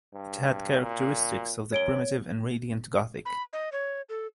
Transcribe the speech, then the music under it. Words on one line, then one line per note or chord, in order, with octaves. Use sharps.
It had characteristics of the primitive and radiant Gothic.
G2
A#2
F#2 C#5 D7 G7
B5
D#5
C#5
A4